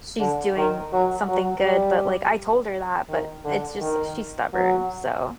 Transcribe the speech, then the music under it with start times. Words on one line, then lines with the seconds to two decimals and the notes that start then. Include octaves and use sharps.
she's doing something good, but, like, I told her that but, it's just she's stubborn, so
0.20 D3
0.56 D#3
0.92 F#3
1.29 F#3
1.65 G3
3.09 D#3
3.44 D3
3.81 D#3
4.53 F#3